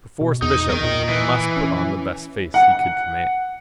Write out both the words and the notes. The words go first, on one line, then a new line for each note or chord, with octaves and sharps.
Perforce Bishop must put on the best face he could command.
B2
E2 D#4
E2 A#4 D#5
A#2
E3
C#4
F#5